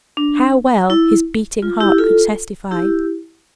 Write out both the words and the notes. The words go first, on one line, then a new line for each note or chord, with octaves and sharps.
How well, his beating heart could testify!
D4
E4
F4
E4 G4
F4 A4
E4 G4